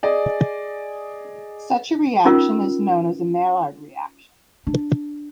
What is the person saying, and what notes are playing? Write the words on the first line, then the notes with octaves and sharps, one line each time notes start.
Such a reaction is known as Maillard reaction.
G#4 D5 D#5 G#5
C#4 D#4 F4 A#4
D4